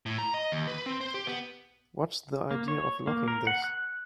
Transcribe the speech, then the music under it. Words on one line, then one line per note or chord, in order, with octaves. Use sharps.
What's the idea of locking this?
A2
A#5
D#5
D#2
B4
C4
C5
G4
B3
A#3
C#5
A#3
A#4
F#5
F#6